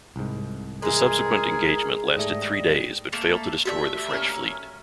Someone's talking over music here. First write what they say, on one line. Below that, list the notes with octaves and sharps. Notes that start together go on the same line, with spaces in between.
The subsequent engagement lasted three days but failed to destroy the French fleet.
C2 G#2
E3 G#3 G#4 A#4
G#2 G3 A3 D#5
A3 A#3 A4
A3 B3 F#4 G4 D5 E5
A#3 C#4